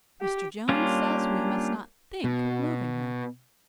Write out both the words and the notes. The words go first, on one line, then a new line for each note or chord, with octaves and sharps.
Mr. Jones says we must not think of moving her.
G4
G3 A#3 C#4 D4 F4
B2